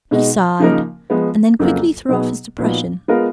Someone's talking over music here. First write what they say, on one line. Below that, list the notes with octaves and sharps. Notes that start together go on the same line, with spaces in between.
He sighed, and then quickly threw off his depression.
B2 G#3 D#4
C#3 F3 A#3 D#4 A#4
F3 G#3 B3
F2 C#3 F#3 A#3 F4
B2 F#3 B3 D#4 G#4
A#2 F3 B3 D#4 F#4
G#3 B3 F4 A#4